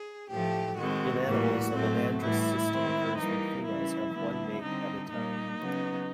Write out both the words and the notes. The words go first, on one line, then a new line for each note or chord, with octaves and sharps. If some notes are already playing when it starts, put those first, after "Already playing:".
In animals, a monandrous system occurs when females have one mate at a time.
Already playing: G#4
A2 F3 A3 G4
D#3 G#3 C4 F#4
A2 E3 G3 A#3
A2 F#3 A3 C4
A2 E3 G3 E4
D#3 G#3 C4
E3 G3 A#3 D#4
C#3 E3 G3 E4
D3 G3 B3
D3 G3 C4 D#4
A#2 G3 A#3 D#4
C#3 F#3 B3